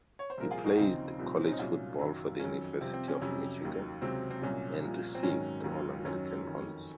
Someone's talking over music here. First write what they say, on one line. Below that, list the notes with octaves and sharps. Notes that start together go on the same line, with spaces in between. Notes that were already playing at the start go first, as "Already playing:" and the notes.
He played college football for the University of Michigan, and received All-American honors.
C#5
C5
C2 A#2 F3 A#4
F4 G#4
D#4 F#4
D#2 C#3 F3 C4 D#4
C2 A#2 F3
C4
C#4
D#4
C2 A#2 F#3 C#4 F4
F#2 D#3 F#3
F2 D#3 F#3 C#4
C2 C3 F3 C4
C4
C#4
F2 C3 F#3 C#4
D#2 D#3 F#3
C#2 C3 F#3 C4
C4
C2 A#2 F#3 C#4
C2 A#2 F3
C4
G#2 D#3 F#3 C#4
D#2 D#3 F#3
F#2 D#3 F#3 C#4
F2 D#3 F#3